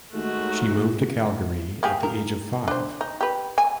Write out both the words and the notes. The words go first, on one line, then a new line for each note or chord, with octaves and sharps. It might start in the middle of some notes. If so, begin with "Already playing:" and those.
She moved to Calgary at the age of five.
D#2 G#3 A3 D#4 F#4
A#3 G4 G#4
A#4
D4 C5
D#4
G4 B4
G#5